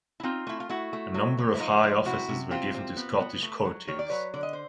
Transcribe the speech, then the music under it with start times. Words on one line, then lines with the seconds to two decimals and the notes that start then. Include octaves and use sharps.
A number of high offices were given to Scottish courtiers.
0.20 E4
0.23 C4 D#4 F4
0.47 A3 E4
0.60 F4
0.69 A3 E4 F#4
0.93 A3
1.14 F#3
1.38 F#3
1.54 E4
1.60 F3 D#4 F4
1.83 F3
2.05 C3 E4 F#4
2.29 C3
2.51 C4 F4 G4
2.74 C4
2.97 B3
3.20 B3
3.42 A3
3.65 F#3
3.88 D#3 C#5
3.99 D5
4.10 F#3 B4 C#5
4.34 D3 D5
4.43 D#5
4.53 C5